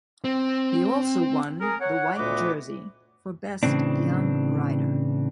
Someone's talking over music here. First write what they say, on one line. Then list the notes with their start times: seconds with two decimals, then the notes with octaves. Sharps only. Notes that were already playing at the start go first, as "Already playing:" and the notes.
He also won the White Jersey, for best young rider.
0.24 C4
1.61 G#4 A#4
1.81 C#5 F#5
2.17 D2 A#2 A3 B3 D#5 D6
3.63 A2 C#3 E3 C4 D4